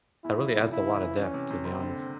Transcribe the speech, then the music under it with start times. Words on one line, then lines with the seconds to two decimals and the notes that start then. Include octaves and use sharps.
That really adds a lotta depth, to be honest.
0.24 E2 E4
0.41 F3
0.55 C3
0.71 C#3 E4
0.87 E3
1.03 E3
1.18 E3 C#4
1.34 C3
1.50 C3
1.65 F#1 C4
1.82 D3